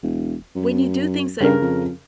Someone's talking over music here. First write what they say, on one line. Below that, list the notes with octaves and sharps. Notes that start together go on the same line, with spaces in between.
when you do things that
E1
F#2
G2 C#3 A#4
F2